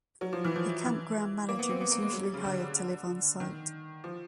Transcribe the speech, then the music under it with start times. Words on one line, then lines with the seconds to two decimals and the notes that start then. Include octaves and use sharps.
A campground manager is usually hired to live on site.
0.21 F#3
0.33 F3
0.44 E3
0.56 F3
0.85 E3
1.49 A#3
1.59 B3
1.70 C4
1.80 B3
1.91 A#3
2.02 G#3
2.13 F#3
2.23 G3
2.34 C#3
2.44 D3
3.40 D#3
4.04 F3